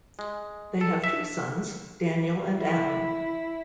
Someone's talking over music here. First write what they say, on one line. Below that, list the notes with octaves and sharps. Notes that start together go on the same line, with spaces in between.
They have two sons, Daniel and Adam.
G#3
A4
E5
E4